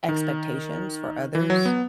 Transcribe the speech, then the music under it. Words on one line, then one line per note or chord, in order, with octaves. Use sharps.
expectations for others,
D#3
E3
F#3
B3